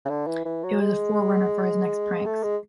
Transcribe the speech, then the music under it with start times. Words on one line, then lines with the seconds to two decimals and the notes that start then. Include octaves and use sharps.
It was a forerunner for his next pranks.
0.05 C#3
0.10 D3
0.27 E3
0.45 E3
0.64 F#3
0.81 G#3
2.26 A3
2.43 G#3